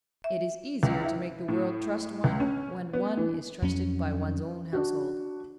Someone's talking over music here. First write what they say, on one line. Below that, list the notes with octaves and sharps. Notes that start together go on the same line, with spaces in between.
"It is easier to make the world trust one, when one is trusted by one's own household."
E5
C#2
E4
A2
C#2
C#4
B3
E3
F2 F#3 C#4
D4 F#4